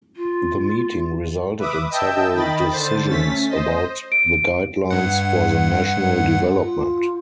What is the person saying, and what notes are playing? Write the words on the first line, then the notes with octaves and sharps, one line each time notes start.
The meeting resulted in several decisions about the guidelines for the national development.
F4
B4 E5 D6 D#6
D#5 E5 G5 A5 E6 G6
D#3 D#5 G5 B5 A6
D3 C5 A6
A3 C#4 A6 B6
C5 D#5
D7
G2 F#5
F4